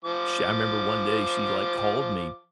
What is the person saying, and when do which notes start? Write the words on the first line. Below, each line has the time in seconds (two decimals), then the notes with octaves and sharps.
sh I remember one day she like called me
0.05 F3 D6